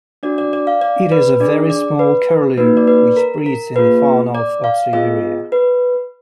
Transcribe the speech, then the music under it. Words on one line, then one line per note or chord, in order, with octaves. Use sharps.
It is a very small curlew, which breeds in the far north of Siberia.
D4 F#4 D5
D5
D5
F5
D5
B4
D4 G#4 D5
D5
B4
A#3 D#4 F#4 B4
D5
B4
A#4
A#4
A#3 F4 G#4 B4
D5
F5
B3 F4 G#4 D#5
B4